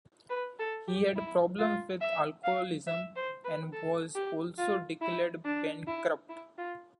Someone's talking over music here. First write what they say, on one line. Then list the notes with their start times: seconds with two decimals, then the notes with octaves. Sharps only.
He had problems with alcoholism and was also declared bankrupt.
0.30 B4
0.59 A4
0.88 G4
1.16 E4
1.59 F4
2.01 E5
2.44 F5
2.87 E5
3.16 C5
3.44 B4
3.73 A4
4.15 G4
4.58 F4
5.01 E4
5.45 D4
5.87 E4
6.29 E4
6.58 F4